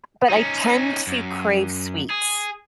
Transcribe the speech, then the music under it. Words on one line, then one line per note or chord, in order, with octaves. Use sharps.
but I tend to crave sweets.
C#4 D#4
F#2
G#4